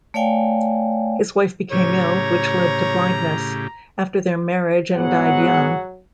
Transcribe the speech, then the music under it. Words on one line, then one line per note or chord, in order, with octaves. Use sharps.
His wife became ill, which led to blindness, after their marriage and died young.
A3 C#5 D5 F5 G5 G#5
A2 C#3 G4 C#5 A#5
G#2 F#3 B3 G#4 F#5